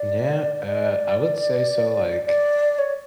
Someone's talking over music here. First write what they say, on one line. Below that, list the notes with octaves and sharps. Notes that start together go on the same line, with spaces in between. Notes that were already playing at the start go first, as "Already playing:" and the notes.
Yeah, uh, I would say so, like,
Already playing: D5
D5
D5
C#5